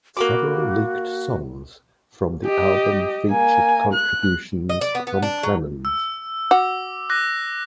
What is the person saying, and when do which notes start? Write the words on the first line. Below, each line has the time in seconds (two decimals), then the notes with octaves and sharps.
Several leaked songs from the album featured contributions from Clemons.
0.17 A#3 F#4 B5 D6
2.46 G4 D#5
3.31 A#3 G#5
3.94 F#6
4.70 D#5
4.81 D5
4.95 B3
5.07 B3
5.23 D4
5.43 F#3
5.85 E6
6.51 F#4 D6
7.10 D6 F#6 A#6